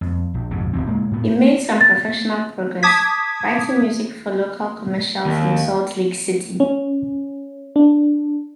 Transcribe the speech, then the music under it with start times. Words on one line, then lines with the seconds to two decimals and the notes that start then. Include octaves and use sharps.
He made some professional progress writing music for local commercials in Salt Lake City.
0.01 F2
0.34 A#1
0.51 A#1 F2 G#2 C3
0.73 D#1 E2 E3 C4
0.87 A#2 G#3 A#3
1.11 A2 B3
1.81 A6
2.83 A5 D6 D#6 G#6 B6
5.25 D#2
6.60 C#4
7.76 D4